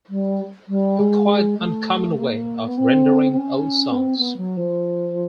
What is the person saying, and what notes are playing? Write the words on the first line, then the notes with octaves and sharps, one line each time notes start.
A quite uncommon way of rendering old songs!
G3
G3
G#3
A3
A#3
B3
C4
C4
C#4
B3
C4
B3
F#3
F3